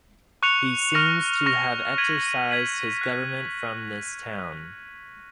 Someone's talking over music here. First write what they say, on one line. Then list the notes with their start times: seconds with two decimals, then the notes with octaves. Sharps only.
He seems to have exercised his government from this town.
0.43 C#6 F#6 C#7 F7
0.94 C#6 F6 A#6 F7
1.46 C#6 F6 A#6 F7
1.98 G#6 B6 D#7 F#7
2.50 G#6 B6 D#7 F#7
3.01 F#6 B6